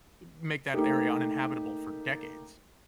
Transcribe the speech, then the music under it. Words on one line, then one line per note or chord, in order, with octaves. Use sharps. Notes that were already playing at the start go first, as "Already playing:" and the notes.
make that area uninhabitable for decades.
A3 A#3 D#4 G4